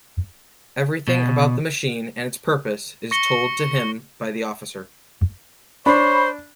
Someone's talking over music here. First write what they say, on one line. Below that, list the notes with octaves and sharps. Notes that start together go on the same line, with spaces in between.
Everything about the machine and its purpose is told to him by the Officer.
B2
C#6 A#6 C#7 G7
D4 C5 C#5 B5